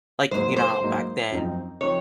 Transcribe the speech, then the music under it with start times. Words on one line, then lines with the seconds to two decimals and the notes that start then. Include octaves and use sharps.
like, you know how back then
0.31 G#2 F#3 A#3 D#4 C5
0.56 C5
0.81 G#2 F#3 A#3 D#4
1.31 F#2 F3 C4 D#4
1.81 F3 C4 D#4 C#5